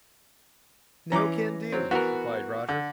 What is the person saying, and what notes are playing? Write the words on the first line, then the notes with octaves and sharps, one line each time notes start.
"No can do," replied Roger.
E3 C#4 A#5 D6
F#3 C4
E3 B3 F#4 A#4
D3